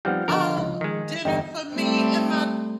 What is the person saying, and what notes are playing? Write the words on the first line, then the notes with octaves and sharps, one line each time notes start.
"Um, dinner for me and my
F3 G3 B3 C4 D#4 F#5 F6 G6
D3 F3 B3 A#4 D5 D#5 A5
C#2 F4
D#3 G#3
G1 E2 G2 D#4 D#5 G5
G3 A3 C4